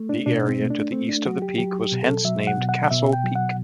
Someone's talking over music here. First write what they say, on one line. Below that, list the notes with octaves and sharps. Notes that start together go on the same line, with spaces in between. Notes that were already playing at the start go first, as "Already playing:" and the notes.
The area to the east of the peak was hence named Castle Peak.
Already playing: A3
D4
B2 D4
C4
A3
D4
A3 C4
D4
F#3 F#4
G4
F#3 G4
G4
B2
A4
F#3 E5
F#5
B2
F#5
B2 E5
G5
F#3
F#5